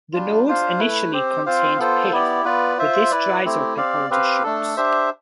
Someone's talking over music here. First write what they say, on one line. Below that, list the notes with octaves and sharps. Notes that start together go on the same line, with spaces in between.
The nodes initially contain pith but this dries up in older shoots.
G3 D4 F4
D4 F4 C5 F5
A3 E4 B4
C4 G4 C5
C4 F4 C5 F5
B3 F4 A4 C5
B3 E4 G4 D5
B3 F4 B4 D5
F4 C5 E5
E4 B4 D5
A3 C4 E4 G4
C4 G4 D5 F5
C4 G4 B4 F5
A3 D4 A4
D4 G4 C5 E5